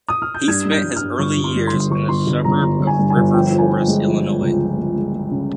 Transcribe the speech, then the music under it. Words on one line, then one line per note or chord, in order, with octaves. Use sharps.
He spent his early years in the suburb of River Forest, Illinois.
D#6
F6
G6
G2 G#6
G2
G6
G3
G2 F6
G1 C#6
G1
C6
G2
C6
G1
G1 C#6
G1 C6
G1
G1 A#5
G1 A#5
G1
G#5
G2
G#5
G1
F3 G5
F3
G#5
F3
G#3
F3
F3
C#2
F3
G#3
G#3
G#3
C#3